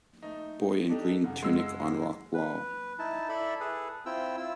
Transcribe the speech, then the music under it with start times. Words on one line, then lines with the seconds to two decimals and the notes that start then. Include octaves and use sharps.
Boy in green tunic on rock wall.
0.23 A3 D#4
0.89 D4 D#4 G4 A4
1.24 F#2 C#3 F#5
1.43 G#3 E6
2.34 B4
2.99 D#4 E4 A5
3.29 E4 A4 D5 E5 B5
3.60 G#4 A4 B4
4.06 C4 E4 F4 G5 E6
4.37 E4 F4 E6